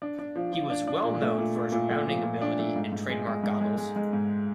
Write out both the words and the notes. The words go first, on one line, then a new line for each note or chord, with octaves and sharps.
He was well known for his rebounding ability and trademark goggles.
D4
D4
F3
F3
D4
D4
A#2
A3
A#2
A#2
A#2
A3
F3
A#2
D4
A3
G#2
G#2
G#3
G#3
G#2
G#3
G#3
G#3
G#2